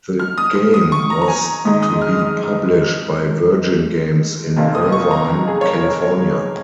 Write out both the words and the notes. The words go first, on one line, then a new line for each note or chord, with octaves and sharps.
The game was to be published by Virgin Games in Irvine, California.
F6
D#6
D#6
D#6
C#6
A#5
A#5
G#5
G#1 G#2 G#3 D#4 D#6
D#6
F6
D#6
F1 F2 D#3 A#3
D#6
C#6
A#5
G#4
C#5
A#4
C#5
C#5